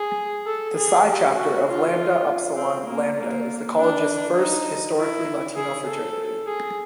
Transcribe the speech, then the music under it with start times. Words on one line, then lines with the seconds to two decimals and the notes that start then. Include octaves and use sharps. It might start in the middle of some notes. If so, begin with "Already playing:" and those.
The Psi Chapter of Lambda Upsilon Lambda is the college's first historically Latino fraternity.
Already playing: G#4
0.46 A4
0.76 G#4
1.07 G4
1.36 F#4
1.66 F4
2.56 C4
2.86 A#3
3.16 A#3
3.77 D4
4.36 D#4
4.96 E4
5.56 G#4
5.86 A4
6.47 G#4